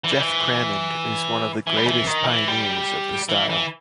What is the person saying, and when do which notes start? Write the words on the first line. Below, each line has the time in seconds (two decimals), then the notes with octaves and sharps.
Geoff Crammond is one of the greatest pioneers of the style.
0.04 E3
0.11 G3
0.20 E3
1.67 E3
1.77 G3
1.87 E3
2.07 D#3
2.28 E3
2.48 G3
3.29 E3
3.50 E3